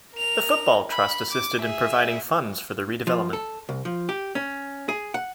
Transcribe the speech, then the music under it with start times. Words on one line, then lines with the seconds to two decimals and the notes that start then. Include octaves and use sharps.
The Football Trust assisted in providing funds for the redevelopment.
0.14 A#4 F7
0.91 B5
1.31 D6
1.60 G#4 E5
3.07 F3
3.33 A4
3.69 C2
3.85 F3
4.09 G4
4.35 C#4
4.89 G#4
5.14 F#5